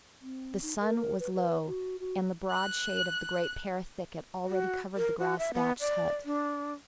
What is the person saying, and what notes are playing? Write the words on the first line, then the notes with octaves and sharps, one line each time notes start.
The sun was low, and the broad shade of the great pear thicket already covered the grass- thatched hut.
C4
D#4
A#4
B4
B4
F#4
F#4
F#6
F#4
A#4
F#4
E5
B3
D5
D4